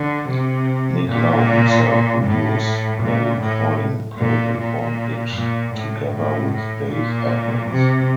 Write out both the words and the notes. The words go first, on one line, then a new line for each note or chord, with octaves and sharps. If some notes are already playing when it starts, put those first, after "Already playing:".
Nick Lowe himself produced the recording and played on it together with Dave Edmunds.
Already playing: D3
C3
A#2
A2
A#2
A2
A#2
A#2
A#2
A2
A2
A2
A#2
C3